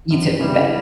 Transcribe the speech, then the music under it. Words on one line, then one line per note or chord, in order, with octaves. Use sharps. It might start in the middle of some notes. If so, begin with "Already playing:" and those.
You too. Bye.
F#2
C#3 E3 G3